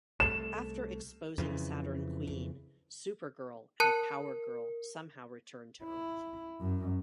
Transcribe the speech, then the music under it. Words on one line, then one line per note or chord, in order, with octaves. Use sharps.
After exposing Saturn Queen, Supergirl and Power Girl somehow return to Earth.
C2 A3 E7
F2 C#3 E3
A#4 A5 F#6 C#7
E4
F#2